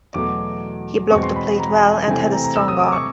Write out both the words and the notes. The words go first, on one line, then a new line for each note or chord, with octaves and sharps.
He blocked the plate well and had a strong arm.
E2 B2 F#3 A3 D6
E2 B2 G#3 C4 C#6
C6
B5
B5
A#5
A5
G#5
C3 E3 A3 C4 G#5
A#5
A#5
E6
D#6
D6
C#6